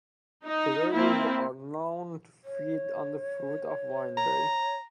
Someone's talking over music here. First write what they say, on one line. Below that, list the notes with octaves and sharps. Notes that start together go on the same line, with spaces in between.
Kereru are known to feed on the fruit of wineberry.
D#4
A#3 C4 E4
C#5
A#5